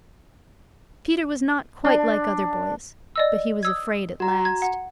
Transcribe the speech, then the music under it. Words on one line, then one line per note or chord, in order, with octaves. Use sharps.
Peter was not quite like other boys; but he was afraid at last.
D4
D5 D#5 E6
D#6 E6 G#6
F#4 A#5
G#6
F#5